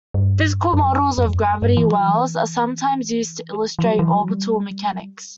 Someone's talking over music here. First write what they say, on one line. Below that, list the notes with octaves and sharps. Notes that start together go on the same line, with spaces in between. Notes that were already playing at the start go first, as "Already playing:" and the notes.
Physical models of gravity wells are sometimes used to illustrate orbital mechanics.
G2
F#2
F#2
E2
F#2
G2
E3
F#3
E3
E3
F#3
E3
F#3
G3